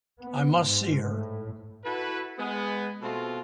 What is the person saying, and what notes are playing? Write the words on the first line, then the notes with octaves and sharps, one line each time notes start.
I must see her.
B3
G#2
A2
E4 F#4 A4 B4
G#3 B3
B2 A3 C4 F4 A4